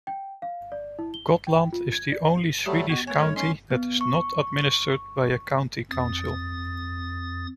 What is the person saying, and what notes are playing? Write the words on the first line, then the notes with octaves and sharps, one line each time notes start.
Gotland is the only Swedish county that is not administered by a county council.
G5
F5
D5
E4
G7
G5
F4
G#6
D5
F#3 G3 A3 G4
B3 F#4 D#5
A3 C#5 G#5
G3 D#4 A4
C#4 D#5 C6
B3
C#6
F2 D#6 A6